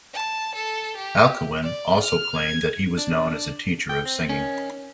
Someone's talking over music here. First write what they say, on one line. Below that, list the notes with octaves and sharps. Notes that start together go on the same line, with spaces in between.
Alcuin also claimed that he was known as a teacher of singing.
A5
A4
G4
D5
F6
G#6
D4
G5
C4
D#3 C#4